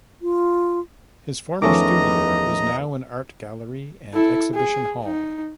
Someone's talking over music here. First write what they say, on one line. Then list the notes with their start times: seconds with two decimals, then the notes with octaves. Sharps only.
His former studio is now an art gallery and exhibition hall.
0.22 F4
1.62 E2 D#3 F3 A3 C#4 D#5 A#5 D6
4.14 E4 A4
4.54 G#4
5.04 D#4